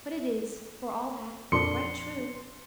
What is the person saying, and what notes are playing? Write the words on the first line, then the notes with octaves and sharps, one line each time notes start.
But it is, for all that, quite true.
F2 A#2 D4 C6 C#7